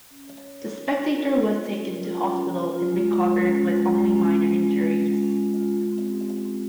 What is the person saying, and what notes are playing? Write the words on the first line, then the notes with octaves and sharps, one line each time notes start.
The spectator was taken to hospital and recovered with only minor injuries.
C#4
C#5
C#5
A#4
C#4
F4
A#4
A#4
C#4
C#4
A#4
F4
C#4
C#4
C#4
F4
G#3
G#3
G#3
C#4
F4
G#3
G#3
C#4
G#3
G#3
G#3
G#3
G#3
C#4
C#4
F4
G#3
C4
G4
G4
C4